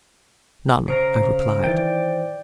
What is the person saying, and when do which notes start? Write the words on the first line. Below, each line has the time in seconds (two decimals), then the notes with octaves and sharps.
"None," I replied.
0.88 C#3 A#4 C5 A#5
1.64 D#3 E3 D5 G5